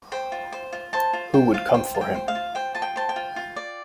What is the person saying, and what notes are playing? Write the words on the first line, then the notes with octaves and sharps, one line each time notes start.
Who would come for him?
C5 G5
F4
C5
F4
C5 A5
F4
C5 G5
F4 F5
C5 G5
F4
G5
C5
F5
F4
C5 G5
F4 A5
G5
C5 A5
G5
F4
F4
D5